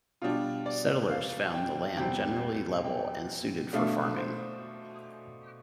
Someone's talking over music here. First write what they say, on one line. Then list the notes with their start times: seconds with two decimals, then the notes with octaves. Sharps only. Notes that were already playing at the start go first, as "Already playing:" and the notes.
Settlers found the land generally level and suited for farming.
0.22 B2 G3 D4 F4
0.66 D5
1.10 F5
1.54 G5
1.97 E2 C3 G3 C4 G5
2.85 G5
3.73 B2 A3 D4 F5
4.17 C5